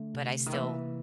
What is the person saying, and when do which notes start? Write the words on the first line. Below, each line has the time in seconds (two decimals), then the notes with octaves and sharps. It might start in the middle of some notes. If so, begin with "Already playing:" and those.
But I still
Already playing: D3 A3
0.14 C3
0.46 D#3
0.53 E3 A#3